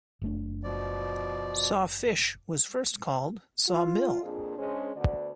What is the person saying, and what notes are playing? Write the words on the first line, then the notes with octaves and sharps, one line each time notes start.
Sawfish was first called Sawmill.
F#1 A3 D4
B2 F3 D5
F4
F2 A#2 D4 G#4
G#3 C#4 D4 G#4 C5
D2 D3 B3 D5